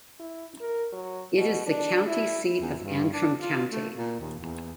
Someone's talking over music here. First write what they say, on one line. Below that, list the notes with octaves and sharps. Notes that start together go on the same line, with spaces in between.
It is the county seat of Antrim County.
E4
A#4
F#3
B2
D4
E4
E2
G2
D4
F4
A3
A#2
D#2
E2